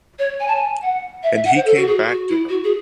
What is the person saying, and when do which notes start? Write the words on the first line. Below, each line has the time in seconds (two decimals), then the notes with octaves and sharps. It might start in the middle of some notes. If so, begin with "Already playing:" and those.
And he came back to her.
0.19 C#5
0.40 G#5
0.48 A5
0.55 G#5
0.82 F#5
1.23 E5
1.35 E5
1.45 F#5
1.56 C5
1.65 A4
1.77 F#4
1.87 G#4
2.07 F#4
2.29 E4
2.49 F#4
2.64 G#4